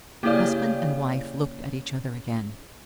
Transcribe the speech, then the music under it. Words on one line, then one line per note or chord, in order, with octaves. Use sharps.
Husband and wife looked at each other again.
C#3 A#3 E4 G4 D5